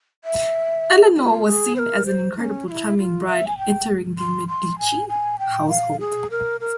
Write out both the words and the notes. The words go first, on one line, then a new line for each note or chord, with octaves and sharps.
Eleanor was seen as an incredibly charming bride entering the Medici household.
E5
G4
F4
G#4
C5
A#4
C5
E4
C#4
F4
E4
F4
E5
G#5
G5
C6
C6
G#5
G#5
G5
F5
G#4
A#4
A#4